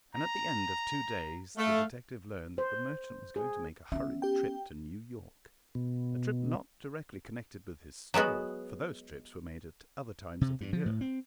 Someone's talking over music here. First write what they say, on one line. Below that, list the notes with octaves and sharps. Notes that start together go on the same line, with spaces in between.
And, at the end of two days the detective learned that the merchant was going to make a hurried trip to New York--a trip not directly connected with his store, for those trips were made at other times of the year.
A#5
A3 F5
C5
G#4
B3 C#4 E5
G4 G5
B2
F#3 G#3 B3 F#4
C3
G2
F3
A2
C4